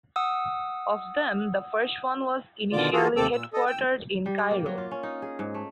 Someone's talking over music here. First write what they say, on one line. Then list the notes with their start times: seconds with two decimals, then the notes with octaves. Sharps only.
Of them the first one was initially headquartered in Cairo.
0.16 F#5 D#6 E6
2.73 B2 D3 D#3 F4 D5 D6
2.93 E3 F4 F#4 G#4 A4
3.16 D#2 C3 C4 A4 D6 E6
3.33 A#2 E6
3.53 A4 D#5
3.67 G5 E6
4.26 G3
4.38 D5
4.51 A#3
4.66 F#3
4.78 F4
4.91 C#4
5.03 D#4
5.22 G#4
5.39 G#2
5.54 A3